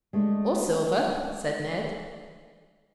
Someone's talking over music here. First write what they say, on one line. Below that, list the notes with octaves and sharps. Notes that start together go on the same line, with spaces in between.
"Or silver," said Ned.
G#3 A3 D4 E5